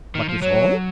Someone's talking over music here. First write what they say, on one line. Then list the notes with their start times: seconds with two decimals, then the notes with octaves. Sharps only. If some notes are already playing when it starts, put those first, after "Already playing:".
"But before--?"
0.15 D#3
0.29 F3
0.42 F#3 C#5